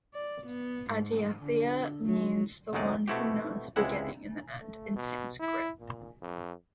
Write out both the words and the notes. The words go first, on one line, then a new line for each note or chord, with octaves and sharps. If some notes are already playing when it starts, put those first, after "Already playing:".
Adyanthaya means "the one who knows the beginning and the end" in Sanskrit.
D5
B3
G#2
D3
F#3
D2 G#2 C3 F#3 D#4 D5
B2 A3 C4 E4 F#4 G4
C#2 C3 G#3 E4 F#5
A3
B2
E4
A#2
F2